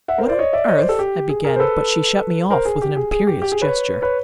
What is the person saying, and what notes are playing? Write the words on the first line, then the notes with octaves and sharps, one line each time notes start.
"What on earth--" I began, but she shut me off with an imperious gesture.
E5 F#5
A#4 C5
C5 D5
C#5 D#5
D5 E5
C#5 D#5
C5 D5
G4 A4
G4
G#4
G#4 A#4
C5
A4 B4
A#4 C5
G#4
G4
G#4
G#4
G4
G4
G#4
B4 C#5
B4 C#5